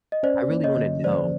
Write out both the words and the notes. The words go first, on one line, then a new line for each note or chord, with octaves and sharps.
I really wanna know,
D#5
C#4 C5 D5
A#3
C#5 D#5
D3
F3 C5 D5